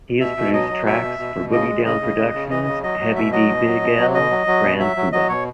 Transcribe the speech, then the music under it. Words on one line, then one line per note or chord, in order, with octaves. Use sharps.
He has produced tracks for Boogie Down Productions, Heavy D, Big L, Grand Puba.
B2 E5
B2
F#3 D#5
F#3
B2 E5
B2
B2
B2
C#3 D#5
G#3
C#3 D#5
C#3
C#3
C#3
E3 D#5
C#3
F#3 D#5
F#3
B2 E5
F#3 D#5
B2
F#3
B2
F#3
B2 D#5
F#3
F#3
B2
F#3 E5
F#3
F#3 D#5
B2 C#5